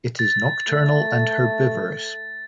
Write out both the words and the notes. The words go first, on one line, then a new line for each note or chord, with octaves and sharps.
It is nocturnal and herbivorous.
A6
A3